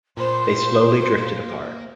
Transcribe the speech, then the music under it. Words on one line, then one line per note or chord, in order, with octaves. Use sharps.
They slowly drifted apart.
A#2 A#3 C5 B5 C6